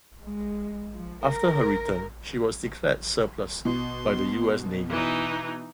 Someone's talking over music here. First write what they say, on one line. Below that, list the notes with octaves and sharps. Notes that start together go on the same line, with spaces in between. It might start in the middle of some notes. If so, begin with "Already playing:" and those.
After her return she was declared surplus by the U. S. Navy.
G#3
F3
A#4
B2 C6
E3 D#4